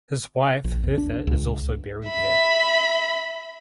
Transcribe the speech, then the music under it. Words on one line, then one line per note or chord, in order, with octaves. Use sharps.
His wife Hertha is also buried here.
A#1
E2
D4
C#2
E5 B5